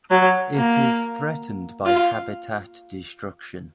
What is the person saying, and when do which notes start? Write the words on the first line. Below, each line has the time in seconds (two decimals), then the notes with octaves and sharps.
It is threatened by habitat destruction.
0.10 F#3
0.55 A#3
1.86 F4